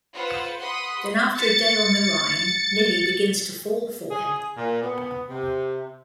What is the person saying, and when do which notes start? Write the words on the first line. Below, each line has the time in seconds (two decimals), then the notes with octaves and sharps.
Then after a day on the Rhine, Lili begins to fall for him.
0.14 F4 B4 C5 F#5
0.59 F#5 B5 C6 D#6 B6
1.33 A6 C#7
4.10 G#4
4.56 A#2
4.82 B3
5.28 C3